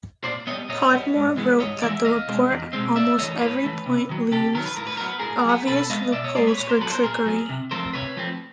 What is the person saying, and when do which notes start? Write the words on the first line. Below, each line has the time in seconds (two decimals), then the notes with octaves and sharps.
Podmore wrote that the report at almost every point leaves obvious loopholes for trickery.
0.24 A#2 C5 D5
0.47 G3 B3 C#5 D#5
0.69 A#2 C#5 D#5
0.92 G3 B3
1.15 G#2
1.37 E3 G#3 B3
1.60 G#2 C#5 D#5
1.82 E3 G#3 B3 D5 E5
2.05 E2 D#5 F5
2.28 B2 G#3 C4
2.51 E2
2.73 B2 G#3 C4
2.96 A2 D5 E5
3.18 E3 A3 C#5 D#5
3.41 A2 B4 C#5
3.64 E3 A3
3.86 C3
4.09 D#3 F#3
4.32 C3 G4 A4
4.54 D#3 F#3 A#4
4.65 B4
4.76 A2 A#4
4.87 B4
4.97 F#3 B3 A#4
5.09 B4
5.19 A2 G#4 A#4
5.45 F#3 B3
5.67 B2 A4 B4
5.90 G#3 B3 D#5 F5
6.12 B2 D5 E5
6.24 C#5 D#5
6.35 G#3 B3 C5 D5
6.47 B4 C#5
6.58 A#2 B4 C#5
6.69 A#4 C5
6.80 F#3 B3 A4 B4
6.92 A#4 C5
7.03 A#2 G#4 A#4
7.26 F#3 B3
7.49 C3
7.71 F3 A3 C4 A#4 C5
7.93 C3 B4 C#5
8.17 F3 A3 C4